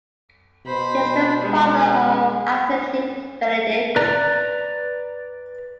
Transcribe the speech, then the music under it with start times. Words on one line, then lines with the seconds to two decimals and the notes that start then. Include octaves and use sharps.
He is the father of actor Nick Benedict.
0.66 B2 C5 B5
1.41 G#3
1.98 G#3
3.96 B4 D5 A#5